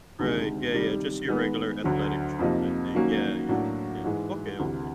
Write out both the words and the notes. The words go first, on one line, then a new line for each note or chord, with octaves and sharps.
Right, yeah, yeah, just your regular athletic shoe type thing. Yeah, yeah. Yeah. Okay, okay.
D2 C3 D#3 G#3
C3 D#3 G3
D#3 G#3 B3
D2 D3 F#3
F2 C3 F3 A#3 D#4
D#3 F#3 A#3 C#4 F#4
A2 F#3 A#3 D4 F#4
G#2 E3 G#3
D2 C3 E3